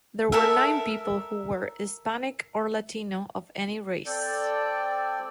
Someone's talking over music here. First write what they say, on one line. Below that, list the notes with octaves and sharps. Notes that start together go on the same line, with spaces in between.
There were nine people who were Hispanic or Latino of any race.
A4 A#4 E5
C4 A4 D5 G5